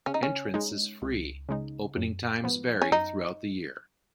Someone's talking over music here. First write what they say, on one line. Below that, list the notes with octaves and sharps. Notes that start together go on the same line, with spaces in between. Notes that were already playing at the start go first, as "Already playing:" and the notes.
Entrance is free, opening times vary throughout the year.
C#3 C#4
D#4
C#4
G#3 D#4
C#2
C#3 G#3 D#4
F#2
F3 B3
C#4
F#2 D#4